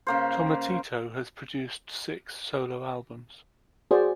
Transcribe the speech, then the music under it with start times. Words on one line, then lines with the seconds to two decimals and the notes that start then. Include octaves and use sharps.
Tomatito has produced six solo albums.
0.07 C#3 A#3 C5
3.91 F#4 G#4 C5 D5